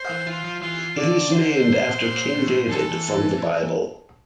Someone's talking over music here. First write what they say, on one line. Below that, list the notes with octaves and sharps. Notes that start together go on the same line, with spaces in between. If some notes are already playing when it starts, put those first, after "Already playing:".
It is named after King David from the Bible.
Already playing: C5
E3
E3 F4
F3
E3 F4
D3 D5
C5
A#2
A2
E3 A4